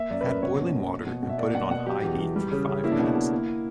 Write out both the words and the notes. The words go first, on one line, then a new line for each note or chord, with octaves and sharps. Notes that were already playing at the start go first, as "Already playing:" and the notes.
Add boiling water and put on high heat for five minutes.
Already playing: A#3 E5
F#2 D5
B4
F#2 A#4
B2 C#5
A#3
B2
A#3
B2
B2
E5
A#3 D5
B2 F#5
B2 F#5
F#3 G4
E2
E2
G3
C#3
C#3
A#3 E4
D4
B2 E4
B2
A#3